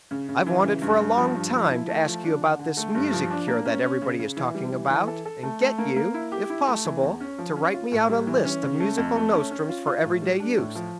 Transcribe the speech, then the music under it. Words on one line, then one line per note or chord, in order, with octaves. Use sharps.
I've wanted for a long time to ask you about this music cure that everybody is talking about, and get you, if possible, to write me out a list of musical nostrums for every-day use.
C#3
C#3
E3
C#3
G2
G2
F3
G2
F3
E4
A3
F3
D4
D3
D3
A3
G2
F3
D4
A#3
C#4
C#4
C#3
C#3
E3
G3
E3
E3
A4
A4
A3
A3
A#3
A#3
E4
G4
E4
A3
E3
E2
C#4
F3
C#4
F4
A2
G3
E3
C#4
C#3
A3
F2
A3
C#4
C#4
F4
F4
A2
G3
D4
A2
F3